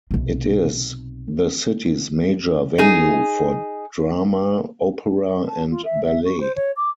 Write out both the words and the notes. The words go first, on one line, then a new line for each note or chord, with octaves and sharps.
It is the city's major venue for drama, opera and ballet.
B1 C3
D#4 G#4
A5
F4
E5
E5
C#6
C5
C#5
D6